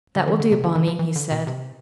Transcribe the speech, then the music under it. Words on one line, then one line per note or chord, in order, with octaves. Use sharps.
"That will do Bonni," he said.
D3
E3
D3
C3
D3
E3
F3
E3
D3
B2
C3